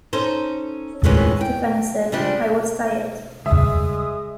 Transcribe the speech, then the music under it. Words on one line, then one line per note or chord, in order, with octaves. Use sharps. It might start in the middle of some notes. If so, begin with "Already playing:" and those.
Stefani said, I was tired.
C#4 D#4 A4 C5
F2 A2 D#3 E3 G#3 C#4
G5
C#3 F3 G3 D4
C#3 G3 G#3 E5 D#6